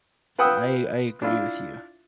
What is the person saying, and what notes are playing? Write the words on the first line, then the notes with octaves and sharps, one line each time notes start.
I I I agree with you.
F4 B4 F#5 G5 D#6 E6
D4 E4 F4